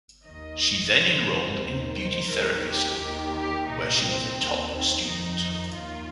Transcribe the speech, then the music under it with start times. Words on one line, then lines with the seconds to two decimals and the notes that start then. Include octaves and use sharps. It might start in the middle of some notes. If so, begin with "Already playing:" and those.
She then enrolled in beauty therapy school, where she was a top student.
0.24 D#2 D#3 D#5
0.93 F2 C3 D#3 C5
1.28 C5
1.62 D#2 D#3
1.96 C5
2.30 D#2 D#3 A#4
2.65 G4
2.98 D#2 D#3
3.33 G4
3.67 C2 A#2 D#4
4.02 C4
4.36 D#2 D#3
4.70 C4
5.04 F2 D#3 D#4
5.73 D#2 D#3 F4